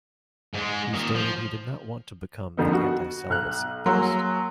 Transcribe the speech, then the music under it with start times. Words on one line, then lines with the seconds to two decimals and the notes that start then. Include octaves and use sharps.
He stated he did not want to become the "anti-celibacy priest".
0.54 G#2 G#3
0.94 A#2 D#3
1.15 F3
2.57 F2 D3 F3 A#3 B3 D#4
2.73 F#4
3.29 B1 F6 F#6
3.86 F#3 A#3 G#4 C6 E6